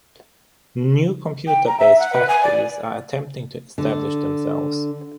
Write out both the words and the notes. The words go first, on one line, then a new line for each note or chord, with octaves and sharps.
New computer based factories are attempting to establish themselves.
G5
A#5
E5
F#5
B4
G#5
D5
D3